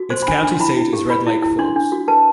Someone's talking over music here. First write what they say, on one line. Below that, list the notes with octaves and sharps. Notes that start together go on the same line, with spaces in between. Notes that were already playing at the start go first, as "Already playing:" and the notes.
Its county seat is Red Lake Falls.
Already playing: F#4
C5 C6
B5
D4
B5
D4 C6
E4 B5
E4
G4
B4 B5
E4
E4
D4 C6
D4
F#4
B4 A5